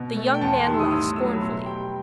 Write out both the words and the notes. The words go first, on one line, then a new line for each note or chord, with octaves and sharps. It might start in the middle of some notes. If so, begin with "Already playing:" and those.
The young man laughed scornfully.
Already playing: B2
A3
G5
E2 A5
C6
D#3 G3 C6
E6
D#6
A2 E6
F#3 A3 E6
B5
B2 C6
G3 G5